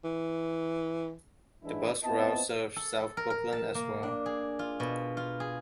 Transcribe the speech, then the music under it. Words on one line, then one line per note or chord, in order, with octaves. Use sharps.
The bus routes serve South Brooklyn as well.
E3
G#2 E3 G#3 D4 E4
B3 C4 E4 F4 D#5 A5
A4
A4
A#4
A#4
A5
A#3
D4
G#4
F4
B2
F4
G#4